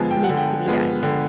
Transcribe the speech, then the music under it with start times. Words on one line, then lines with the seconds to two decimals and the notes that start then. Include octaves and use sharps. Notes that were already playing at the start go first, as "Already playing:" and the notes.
needs to be done.
Already playing: D3 F3 G#3 B3 G#5 A5
0.11 G5
0.24 F#5
0.29 D3
0.37 G5
0.66 F3 G#3 B3
1.03 D3 G5